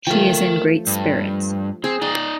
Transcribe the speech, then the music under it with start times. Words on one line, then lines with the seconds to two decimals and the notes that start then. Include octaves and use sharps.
She is in great spirits.
0.07 F3 A3 A#4 G5
0.87 G2
1.84 C4 G#4
2.02 D#4 D5 G5